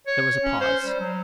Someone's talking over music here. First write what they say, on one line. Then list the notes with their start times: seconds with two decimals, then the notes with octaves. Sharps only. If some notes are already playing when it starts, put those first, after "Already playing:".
There was a pause.
0.07 C#5
0.43 C#4
0.61 C5
0.85 G3
1.00 F#3